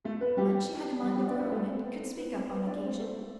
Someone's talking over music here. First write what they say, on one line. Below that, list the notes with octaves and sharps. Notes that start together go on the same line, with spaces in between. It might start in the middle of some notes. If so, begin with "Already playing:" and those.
But she had a mind of her own and could speak up on occasion.
A3 A4
B3 B4
G3 G4
G3 G4
G3 G4
D4 D5
B3 B4
A3 A4
C4
B3
C4
B3
C4
B3 B4
D4 D5
C4 C5
A3 A4